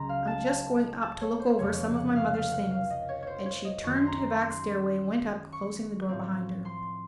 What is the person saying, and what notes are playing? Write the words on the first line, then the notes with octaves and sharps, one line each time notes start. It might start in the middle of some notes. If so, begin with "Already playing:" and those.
"I'm just going up to look over some of my mother's things." And she turned to the back stairway, and went up, closing the door behind her.
Already playing: C#2 C#3 F#3 A#5 C6
F5
A5
A5
A5
C#5
C5
F1 F2 C#3 F3 C#5
F#5
F5
F5
F#5
F5
D#5
C#5
C5 C#5
C#5
D#5
F#2 D#3 F#3 C#6
C6
A#5
C6
C6
C#6
A2 F3 C4
C6